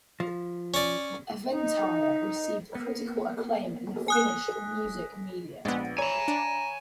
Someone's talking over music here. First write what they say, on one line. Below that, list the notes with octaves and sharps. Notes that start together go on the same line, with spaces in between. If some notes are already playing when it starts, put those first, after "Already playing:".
"Eventyr" received critical acclaim in the Finnish music media.
F3
C#4 D5
D#4
A#3 B3
G#5 D#6 F#6
A#1 G#3 B3
C#5 G#5 A#5 B5
D4